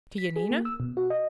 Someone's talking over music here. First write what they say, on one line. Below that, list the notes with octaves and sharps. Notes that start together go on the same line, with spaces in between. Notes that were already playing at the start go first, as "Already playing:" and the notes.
"To Yanina?"
B6
G#4
A#3
E6
B2
F#4
D#5